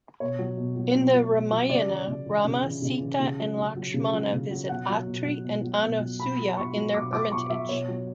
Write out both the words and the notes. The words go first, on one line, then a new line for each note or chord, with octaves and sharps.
In the Ramayana, Rama, Sita and Lakshmana visit Atri and Anasuya in their hermitage.
B2 C#5
F#3
B2
F#3
B2
F#3
B2
F#3
C#3 D5
E3
C#3
E3
C#3
E3
C#3
E3
C#3
F#3
C#3
F#3
C#3
F#3
C#3
F#3
B2 F#5
F#3
B2
F#3
B2
F#3
B2
F#3
B2 B5
F#3
B2 C#6
F#3
B2 D6
F#3 D6
B2 C#6
F#3 E5
B2 C#5
F#3